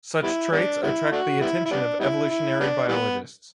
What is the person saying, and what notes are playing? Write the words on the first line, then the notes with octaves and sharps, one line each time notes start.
Such traits attract the attention of evolutionary biologists.
G3 B3 E4
G3 B3 D4
G3 B3 E4
A3 D4 F#4
G3 B3 E4
E4
G3 B3 D4
G3 B3 E4
E4
G3 B3 D4
E3 G3 B3